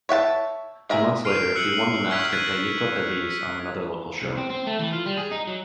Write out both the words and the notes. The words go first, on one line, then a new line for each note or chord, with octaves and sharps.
Two months later he won the mask of Gallito Feliz on another local show.
C#5 E5 F#5 A5
G#4 A#4 E5
F6 C7 D7 D#7 F7
E6 F#6 C#7 F#7
C#6 E6 F6 G#6 B6 F7
F#6 G#6 A6 B6 D#7
B6
C2
C4
C4
A3
E3
F4
G3
G#4
D#4
F#3